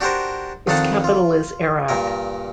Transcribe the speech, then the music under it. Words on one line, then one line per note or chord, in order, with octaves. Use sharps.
Its capital is Arak.
D4 F#4 G4 A#4 C5
F2 D#3 D4 A4 F5 F#5
F4
G2 A#2 A#4